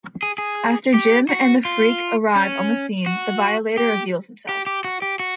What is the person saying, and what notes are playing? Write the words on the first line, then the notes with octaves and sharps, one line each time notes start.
After Jim and the Freak arrive on the scene, the Violator reveals himself.
G#4
G#4
G4
F#4
F4
C#4
F#4
G4
G4
G4
F#4
G4
F#4